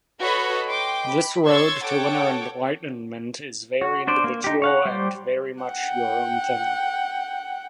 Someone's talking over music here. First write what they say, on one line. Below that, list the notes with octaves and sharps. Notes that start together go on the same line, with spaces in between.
This road to inner enlightenment is very individual and very much your own thing.
F#4 A4 B4 C#5 D#5 B5
D#5 G5 C6 D6
B5
C#5 C6 C#6 E6 G#6 A6
A4 C#5 F#5 G5 D6
F#4
D4 C5 D5
A#3
D#4 G4
C#5 F5 F#5
G3 C5 D5 G5
F#5 G5